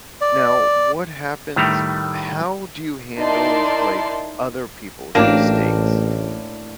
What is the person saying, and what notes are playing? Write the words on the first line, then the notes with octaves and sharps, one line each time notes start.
Now what happens how do you handle, like, other people's mistakes?
D5
A2 D#3 G3 A3 A#5
D#4 E4 A#4 D5 A5 C6
A1 A2 A#3 C4 D4 F#4 A#6